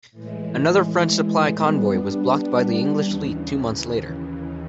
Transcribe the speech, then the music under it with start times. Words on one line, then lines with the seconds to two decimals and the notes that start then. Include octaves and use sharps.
Another French supply convoy was blocked by the English fleet two months later.
0.11 A2 E3 G#3
1.55 G3 B3 D4
2.99 D#2 C#3 E3